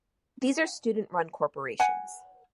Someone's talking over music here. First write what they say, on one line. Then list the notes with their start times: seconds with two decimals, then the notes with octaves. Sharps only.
These are student-run corporations.
1.80 F#5 G#5